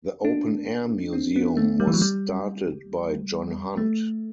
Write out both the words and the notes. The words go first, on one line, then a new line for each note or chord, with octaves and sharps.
The open-air museum was started by John Hunt.
D4
C4
B3
A3
G3
E3
F#3
G3
A3